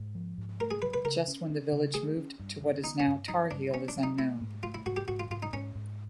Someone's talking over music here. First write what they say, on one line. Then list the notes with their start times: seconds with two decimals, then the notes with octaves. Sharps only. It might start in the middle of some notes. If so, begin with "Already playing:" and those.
Just when the village moved to what is now Tar Heel is unknown.
Already playing: G#2
0.15 F3
0.38 G#2
0.60 A3 A#4
0.71 G#4
0.82 F#3 B4
0.94 B4
1.04 C#3 A#4
1.28 C#4
1.49 C#4
1.72 C#3
1.94 A3 G#4
2.17 C#4
2.40 G2
2.62 D3
2.84 B3 D#4
3.00 C#4
3.07 G2
3.28 F#3 D#4
3.51 G2 D4
3.74 B3 C#4
3.88 D4
3.96 F#3
4.03 D#4
4.19 A3 E4
4.41 G#2
4.63 A3 F4
4.74 E4
4.86 G#2 F#4
4.96 G4
5.08 G#2 F#4
5.20 F4
5.30 G#2 F4
5.43 D#4
5.53 G#2 C#4
5.75 G#2